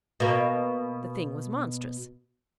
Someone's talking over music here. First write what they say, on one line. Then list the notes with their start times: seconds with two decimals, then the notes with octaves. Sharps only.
The thing was monstrous.
0.20 B2 A#3